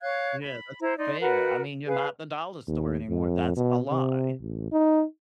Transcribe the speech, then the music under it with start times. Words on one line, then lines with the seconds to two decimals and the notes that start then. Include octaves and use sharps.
Yeah, that's unfair. I mean, you're not the Dollar store anymore, that's a lie.
0.01 C#5 F5 F#6 G#6
0.41 B5
0.81 E4 C5 A#5
0.98 D#4 D5 C6
1.20 F#4 A#4 B4 F#5
1.86 G#4 B4 F5
2.67 D#2
3.09 F2
3.57 B2
3.90 C3
4.42 A1
4.72 D#4